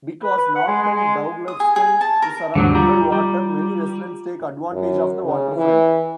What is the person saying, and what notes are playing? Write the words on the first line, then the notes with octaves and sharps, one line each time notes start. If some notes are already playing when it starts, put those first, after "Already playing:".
Because northern Douglaston is surrounded by water, many residents take advantage of the waterfront.
B4
B4
F#5
G#3
G#3
G#3
D#6
G#4
G#4
A5
A#4
D#2 G#2 D3 F#3 G3
G3 F4 A#5
G3
F#2
C#3
E3